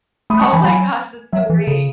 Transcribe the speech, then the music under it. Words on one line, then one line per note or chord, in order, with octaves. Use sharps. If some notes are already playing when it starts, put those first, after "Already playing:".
Oh my gosh. That's so great.
A3 B5 D#6
G#3 A5 C#6
E3 G#5 B5
F#3 G#5 B5
F#3 C#5 E5
A4
E3
G#4
C#3 A4